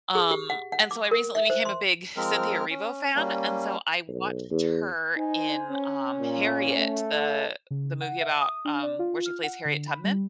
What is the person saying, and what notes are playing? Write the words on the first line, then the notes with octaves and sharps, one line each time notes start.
Um, and so I recently became a big Cynthia Erivo fan, and so I watched her in, um, Harriet, the the movie about, um, where she plays Harriet Tubman.
G#4
G4
F#5
F#5
D6
A#4
E5
C5
C6
F3 G#3 C4 A#4 F6
C#4
G3 A#3 C#4
B1
E2
D#4 C5 G#5
C#4
A#2
A3
C#3
F#5
E5
D#6
D4
D5
F4
F6
F#5
D3
B5
G3